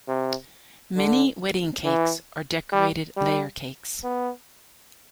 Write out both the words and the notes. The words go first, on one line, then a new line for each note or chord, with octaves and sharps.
Many wedding cakes are decorated layer cakes.
C3
D3
E3
G3
G3
B3